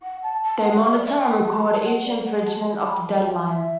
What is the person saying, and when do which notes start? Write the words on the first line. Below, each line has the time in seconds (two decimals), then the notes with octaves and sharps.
They monitor and record each infringement of the deadline.
0.03 F#5
0.23 A5
0.43 A5
0.63 F#5
0.83 E5
0.95 D5
1.04 E5
1.24 F#5
1.44 A5
1.57 B5
1.64 A5
1.85 F#5
2.05 D5
2.25 F#5
2.45 A5
2.65 A5
2.85 B5
3.05 A5
3.26 E5
3.36 F#5
3.47 E5